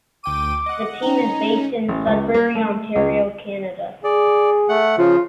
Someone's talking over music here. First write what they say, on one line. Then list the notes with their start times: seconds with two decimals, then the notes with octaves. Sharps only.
The team is based in Sudbury, Ontario, Canada.
0.24 D2 G5 D6 D#7
0.66 D#5 F#5
1.02 C#4 D#4 A#5
1.88 A1
2.07 C#2
2.34 A#3
2.55 A3
2.96 C#2
4.04 G#4 D5
4.69 A3 F#5
4.98 C#3 F3 F4